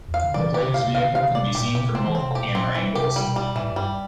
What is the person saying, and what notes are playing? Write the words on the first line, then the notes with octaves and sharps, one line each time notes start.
The player's vehicle can be seen from multiple camera angles.
E2
F5
D3
E3 D5
D3 G4
C3 F5
C3
D3 F5
D3 F5
C3
D5
B2
A2 G4
B2 G4
C3 C4
E3
C4
C3
B2 G4
A2 C4
B2
E3
C3 G4
G3
B2
G3
A2 E3
G2 G3